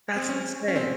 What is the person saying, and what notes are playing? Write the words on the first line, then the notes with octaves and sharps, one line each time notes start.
That's insane.
C4
C#4
C#4
C4